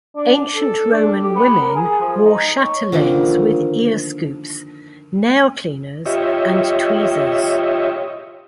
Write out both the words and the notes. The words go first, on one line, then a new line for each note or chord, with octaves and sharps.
Ancient Roman women wore chatelaines with ear scoops, nail cleaners, and tweezers.
D4
A4
D4
G4
B3
A#4
G#4
F3
D#4
C#5
D3 D#3 F3 A#3
F4 G4 C#5 D#5 E5